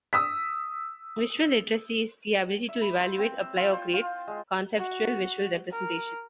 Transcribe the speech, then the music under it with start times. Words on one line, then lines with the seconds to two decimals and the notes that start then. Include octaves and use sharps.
Visual literacy is the ability to evaluate, apply, or create conceptual visual representations.
0.13 D#6 E6 B6
2.69 E5
2.82 B5
3.00 C5
3.18 C4
3.40 E6
3.56 F4
3.73 C5
3.94 F4
4.27 G#3
4.78 F#4
5.71 A#4